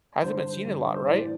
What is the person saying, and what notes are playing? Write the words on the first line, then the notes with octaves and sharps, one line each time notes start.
hasn't been seen a lot, right?
G2 D3 C5
G2 D3
C5
A2 E3 D5